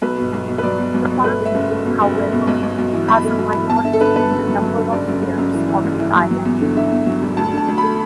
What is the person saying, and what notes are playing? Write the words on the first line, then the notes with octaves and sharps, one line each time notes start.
The party, however, has a minority in the number of mayors on the island.
B1 B4
B2
B1
B2
B4
F#3 D5
B2
B1
B2
A3 B4
A3 E5
F#1
A3
B2
F#1
A3
B2
B1
B1
B1
E3
B1 B5
A3
B1
E3
E2 A5
D3 E5
A4
D3 B4
E2 B4
F#1
F#3
F#3
D3
F#1 D5
F#2
F#1
F#2
E3
E3
F#1
E3
F#3
F#3
E2
D3
D3 E5
E2
F#3
E1
D2 A5
D3 A5
D2
B5
A3